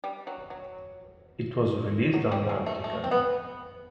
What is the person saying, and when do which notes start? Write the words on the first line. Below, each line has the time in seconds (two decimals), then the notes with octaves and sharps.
It was released on Anticon.
0.04 G3
0.27 F#3
0.50 F#3
2.14 F#3
2.32 G3
2.49 G#3
2.66 A3
2.84 A3
3.04 C4
3.11 B3